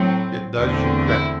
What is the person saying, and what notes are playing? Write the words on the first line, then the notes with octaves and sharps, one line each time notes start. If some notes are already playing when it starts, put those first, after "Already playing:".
It does you credit.
Already playing: A2 F#3 C4
E2 D3 A3 C4
E4